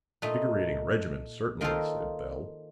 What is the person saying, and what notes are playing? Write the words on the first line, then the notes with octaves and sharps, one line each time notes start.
"Invigorating regimen, certainly!" said Bell.
A#2 A3 D#4
D#3 A#3 F4 A4 C5